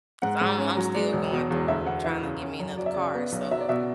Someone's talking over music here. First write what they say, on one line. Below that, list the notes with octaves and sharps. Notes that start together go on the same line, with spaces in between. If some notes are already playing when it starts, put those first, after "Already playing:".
'Cause I'm I'm still going through tryna to get me another car. So,
G#2 F#5
G#2
C#4
F#3
G#3 D5
E1
B2
E2
D2 E5
D2 F#5
E3 E5
C#3
C#4
F#2
F#3 D5
E5
C#3 D5
B3
B1
F#3 E5
D5
B2 E5